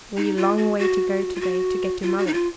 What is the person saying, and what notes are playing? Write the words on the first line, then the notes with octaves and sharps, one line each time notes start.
"We long way to go to-day to get to Mother."
D#4
F4
F#4
F#4
F4
F#4
F4
F#4
D#4
F4